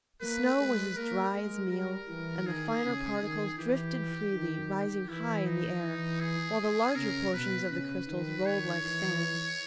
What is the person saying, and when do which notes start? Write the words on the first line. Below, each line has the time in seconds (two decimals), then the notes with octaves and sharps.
The snow was as dry as meal, and the finer particles drifted freely, rising high in the air, while the larger portions of the crystals rolled like sand.
0.21 A#3 B4
0.60 G#3
0.97 A#3 A#4
1.34 G#3
1.72 G3 A#4
2.09 E3
2.46 D#3 G#4
2.84 C#3
3.22 D#3
3.58 E3 G4
4.33 D#3
5.09 E3 E4
5.46 D#4
5.84 E3
6.21 G#4
6.96 C#3 A#4
7.34 B2 B4
7.71 C#3 B4
8.08 D#3
8.46 D#3 C#5
8.83 E3